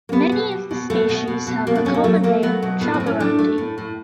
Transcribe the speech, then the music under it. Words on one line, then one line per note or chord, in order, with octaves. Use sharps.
Many of the species have the common name jaborandi.
A#3
G3 B3
B2
G3
B2
B2 A3
B2
B2
B2
B2 A#3
D4
A3 C#4
A#3
F#3 A3
A3 A#3
F#3 B3
B2
A2 B3
C4
A2
C#4
A3 D4
A3
A2
A2